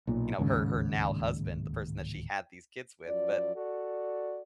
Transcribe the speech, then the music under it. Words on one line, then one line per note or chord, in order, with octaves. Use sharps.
you know, her her now husband, the person that she had these kids with, but,
B1 A#2
D1 D#2 G#2 C#3
F#2 F3 D5
F#4 A4 D5